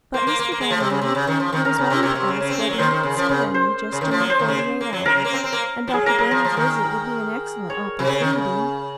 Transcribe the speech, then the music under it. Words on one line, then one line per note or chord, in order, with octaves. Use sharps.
But, Mr. Dalmain, I was wanting to ask whether you could spare me just during forty-eight hours; and Dr. Brand's visit would be an excellent opportunity.
A#3 C5
A#3
A#3
A#3
G#3
F3
C3
C#3
C3
C#3
D#3
F3
D#3
D#3 A#4
C#3
A#4
C3
C3 C#5
C3
C#3
C#3
C4
G#3
F#3
D#3 C5
D#3
C#3
F3
C#3
C5
C#3
D#3
F3
F#3
C5
D#3
C#3
A#3
F#3
F3 A#4
C#3
A#3
C4
C4
A#3
F3
F#3 G#4
A#3 A#4
F#3 A#4
F3
F3
D#3
C#5
C3
C#3
D#3
C#3